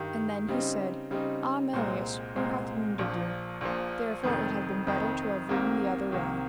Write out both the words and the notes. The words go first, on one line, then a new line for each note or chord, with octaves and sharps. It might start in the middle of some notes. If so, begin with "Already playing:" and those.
And then he said: Ah Melias, who hath wounded you? therefore it had been better to have ridden the other way.
Already playing: G2 D#3 G3
C#3 G3 C4 D#4
C#3 G3 C4 D#4
C2 A#2 G#3 C4
C2 A#2 G#3 C4
A#1 A#2 F3
A#1 A#2 F3
F1 F2 D#3
F1 F2 D#3
C2 C3 D#3 A#3
C2 C3 D#3 A#3